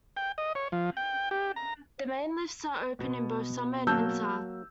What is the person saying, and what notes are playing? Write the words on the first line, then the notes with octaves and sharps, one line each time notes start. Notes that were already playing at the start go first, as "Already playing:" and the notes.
The main lifts are open in both summer and winter.
G5
D#5
C#5
F3
G5
G4
A#5
B2 B3
F#3 A#3 A5 E6 G6